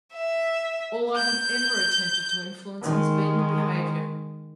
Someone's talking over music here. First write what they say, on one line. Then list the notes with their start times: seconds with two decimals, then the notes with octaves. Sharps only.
All I have ever attempted to influence has been the behaviour.
0.13 E5
1.16 G6
2.82 D#3 G#3